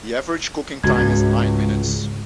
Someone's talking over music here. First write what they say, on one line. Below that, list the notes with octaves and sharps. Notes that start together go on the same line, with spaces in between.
The average cooking time is nine minutes.
C#2 G#2 F#4 G#6